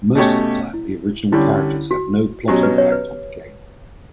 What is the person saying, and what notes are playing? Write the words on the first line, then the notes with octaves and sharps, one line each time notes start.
Most of the time, the original characters have no plot impact on the game.
B2 A3 C#4 G4 C#5
E4
D3 G3 C#4 E4
F#4
B2 F#3 C#4 G4
B4
C#5
B4